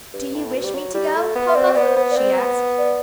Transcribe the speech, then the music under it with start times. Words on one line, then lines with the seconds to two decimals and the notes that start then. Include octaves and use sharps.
"Do you wish me to go, papa?" she asked.
0.13 G2
0.34 A2
0.55 B2
0.65 G3
0.75 F#3
0.95 G3
1.16 A3
1.35 B3
1.48 E5
1.55 C4 D5
1.74 B3 D5
1.83 C5
1.97 B3
2.11 D5
2.16 C4
2.38 B3
2.78 D5